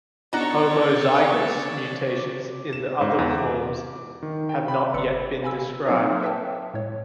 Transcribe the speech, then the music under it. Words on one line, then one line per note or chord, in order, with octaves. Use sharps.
Homozygous mutations in the other forms have not yet been described.
B2 D4 D#4 A4 C#5 D5 F#5 A#5
E7
G#2
E2
D6
D#3
G5
B5
G1 B4 D5 E6 C#7
F5 G#5 B5 E6
F#3 A#3 C4 D#4 A4 C#5
A4 B4 E5 F5 G5 A5
A2 G#3 C#5